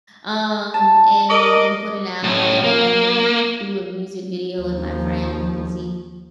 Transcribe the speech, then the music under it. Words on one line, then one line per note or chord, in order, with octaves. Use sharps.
um, and then put it out, and I think do a music video with my friend, 'cause he
A5
A#4 D5 D#5
A2 C#4
A#3
D#2 F3